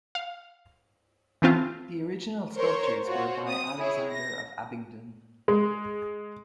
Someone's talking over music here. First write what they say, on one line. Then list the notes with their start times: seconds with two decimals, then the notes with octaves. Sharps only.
The original sculptures were by Alexander of Abingdon.
0.15 F5
1.42 E3 A3 C4 F4
2.55 A#4 C5 C#5 C#6
3.07 F4 F#4 C5 C#5
3.45 C4 D#6
3.77 E4 G#4 C#5
4.11 A#6
5.48 G#3